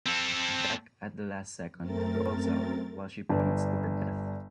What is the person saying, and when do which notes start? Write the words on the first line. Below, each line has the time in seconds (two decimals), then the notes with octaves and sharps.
Jack, at the last second, rolls out, while she plummets to her death.
0.06 C4 A4
1.80 F#2 A3 C4 A#4 A6
3.29 G1 D4 A5